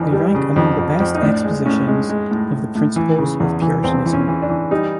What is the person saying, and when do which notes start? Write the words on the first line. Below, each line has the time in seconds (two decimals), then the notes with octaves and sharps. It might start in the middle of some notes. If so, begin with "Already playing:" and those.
They rank among the best expositions of the principles of Puritanism.
Already playing: F2 E3 D4 D#4
0.13 G3
0.35 C#3
0.56 F2
0.78 F2
1.00 F2
1.15 D#4
1.22 A2 D4
1.44 G#3
1.66 A2 C#4
1.87 G#3
2.09 G#3
2.31 A2
2.53 A2
2.75 A2
2.96 E3
3.18 C#3
3.40 E2
3.62 E3
3.84 E2 C4
4.06 E3
4.13 C#4
4.28 E3
4.42 D4
4.50 E3
4.71 G3 D#4